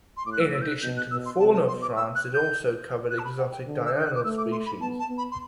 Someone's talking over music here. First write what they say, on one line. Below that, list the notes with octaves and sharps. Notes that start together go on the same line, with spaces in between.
In addition to the fauna of France, it also covered exotic diurnal species.
C6
A2 D6
F#6
E6
E6
G6
F#6
B2 G6
F#6
B2 E6
C6
C3 A5
A5
B2 C6
D6
E6
F#6
G6
F#6
A5
B5
F#5
G5
D3
E6
D3 G6
F#6
D6
A3 E6
D6
C6
B5
B3 A5
A5
B3
B5
C6